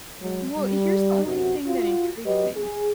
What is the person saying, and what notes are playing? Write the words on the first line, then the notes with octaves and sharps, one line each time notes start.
Well, here's the only thing that intrigues me
F#3 G#3
G3
F#2 C3 F#4
F4 F#4
F#3 G4 B4 D#5
G#4